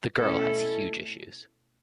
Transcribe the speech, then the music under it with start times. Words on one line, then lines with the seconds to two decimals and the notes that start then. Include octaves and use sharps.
The girl has huge issues.
0.19 B2 A3 C#4 E4 A4